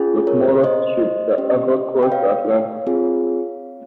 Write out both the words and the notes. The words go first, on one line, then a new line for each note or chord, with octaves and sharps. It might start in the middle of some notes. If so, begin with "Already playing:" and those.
The Smallest Ship that Ever Crossed the Atlantic!
Already playing: C#4 F4 G#4
A#4 C#5
C5 D#5
C#4 G4
G5
C#5 F5
C4 F4 G#4